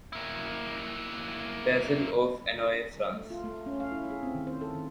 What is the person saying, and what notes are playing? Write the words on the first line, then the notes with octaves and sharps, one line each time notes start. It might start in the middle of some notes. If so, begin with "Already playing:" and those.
Basil of Annonay, France.
A#3 E4
A3
F4
A3
C#4
F5
E4
G#4
C4
D#3
C5
A4
D#3